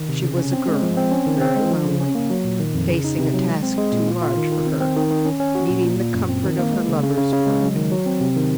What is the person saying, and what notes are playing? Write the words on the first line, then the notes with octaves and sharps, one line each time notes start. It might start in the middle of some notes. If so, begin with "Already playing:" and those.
She was a girl, very lonely, facing a task too large for her, needing the comfort of her lover's word.
Already playing: D#3
C3
C#3
C#4
C4
G#3
F3
C4
C#4
D#3
C4
G#3
F3
C#3
C#4
A#3
F#3
A#2
D#3
F2
C#3
D#4
C3
F#3
G#3
C4
G#3
A#2
F4
F4
D#3
D#3
C4
C4
D#3
D#3
C#4
C#4
F#4
A#2
A#2
A#2
F#2
C4
D#3
A#3
G#3
C#3
C#3
C#3
C#3
G#3
F#3
D#3
F#3
C4
C3
D#3